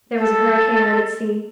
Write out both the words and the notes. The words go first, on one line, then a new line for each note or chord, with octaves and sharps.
There was a hurricane out at sea.
A4